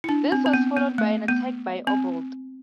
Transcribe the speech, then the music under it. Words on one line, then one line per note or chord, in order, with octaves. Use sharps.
This was followed by an attack by Oblt.
E4
D4
C4
C4
B3
B3
A3
B3
C4